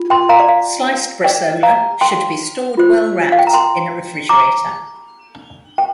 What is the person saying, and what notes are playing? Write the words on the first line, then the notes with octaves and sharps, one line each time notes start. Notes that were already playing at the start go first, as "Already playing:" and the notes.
Sliced bresaola should be stored well wrapped in a refrigerator.
Already playing: F4
G5 C6
F5 A#5
D5
F5
D5 G5
F5 A#5
G5 C6
F4 C5
F5
G5
A#5
G5 C6
A#5 D6
G5